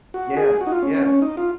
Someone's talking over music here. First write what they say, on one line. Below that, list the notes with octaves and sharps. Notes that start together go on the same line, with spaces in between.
Yeah, yeah,
F#4
G#4
F#4
D#4
F4
C#4
C#4
C#4
D#4
F4